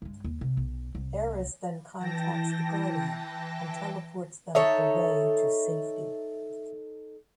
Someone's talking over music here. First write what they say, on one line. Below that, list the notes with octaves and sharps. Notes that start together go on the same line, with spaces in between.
Eris then contacts the Guardian and teleports them away to safety.
G2 G#3
D#2
C3
B1
C2
E3 G5 A5 A#6
D#4 A4 C#5 E5